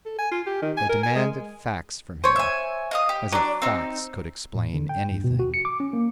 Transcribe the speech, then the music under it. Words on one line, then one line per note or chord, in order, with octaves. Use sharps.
They demanded facts from him, as if facts could explain anything!
A4
G#5
F4
G4
D#3
G#5
A#4
G#5
G#3
C5 C#5
E5 G#5
D#5 F5 D#6
G4
F#3 D4 D5
C4 D#4
A2
D3
G5
G2
B2
F#4
C#7
D6
C#4
A#3